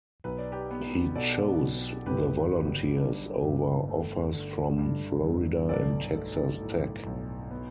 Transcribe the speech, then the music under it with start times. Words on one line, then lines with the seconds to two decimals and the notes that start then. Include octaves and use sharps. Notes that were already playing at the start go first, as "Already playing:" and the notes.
He chose the Volunteers over offers from Florida and Texas Tech.
0.24 B1 B4
0.38 D5
0.52 G4 B4
0.71 B3
1.15 B2 A4 D5
1.61 B1
2.06 G1 G4 B4
2.52 G3
2.97 G2
3.42 G1
3.88 A3
4.33 D3
4.78 G2
5.24 G1
5.69 B1 A4 D5
6.15 A3
6.61 A2
7.06 B1
7.51 B3